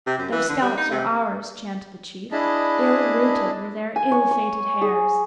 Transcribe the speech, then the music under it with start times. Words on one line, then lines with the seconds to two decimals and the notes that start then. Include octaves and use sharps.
'Their scalps are ours,' chanted the chief; 'ill-rooted were their ill-fated hairs!
0.07 C3
0.18 F#2
0.32 E3
0.49 D3
0.62 G3
0.77 D#4
0.91 C3
2.32 D4 E4 G#4 D#5 A5 B5
3.96 G#5
4.12 C#5
4.31 C#6
4.81 G#4